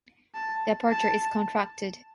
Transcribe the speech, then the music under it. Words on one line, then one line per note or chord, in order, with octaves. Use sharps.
The aperture is contracted.
A5
A5